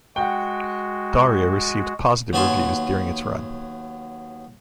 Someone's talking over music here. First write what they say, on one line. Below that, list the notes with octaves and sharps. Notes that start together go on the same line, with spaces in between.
"Daria" received positive reviews during its run.
G#3 F#4 F#5 G5
D#2 F#3 B3 G#5 A5 C6